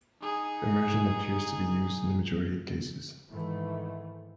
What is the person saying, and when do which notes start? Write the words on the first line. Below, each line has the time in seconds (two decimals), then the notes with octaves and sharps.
Immersion appears to be used in the majority of cases.
0.21 D#4 G#4
3.30 G#2 D#3 E3 A3